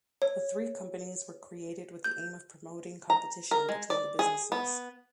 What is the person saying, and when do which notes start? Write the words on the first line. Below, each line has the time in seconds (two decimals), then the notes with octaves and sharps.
The three companies were created with the aim of promoting competition between the businesses.
0.22 C#5
2.04 G6
3.10 A#5
3.51 A#4
3.69 G#3
3.90 D5
4.19 G#4
4.52 B3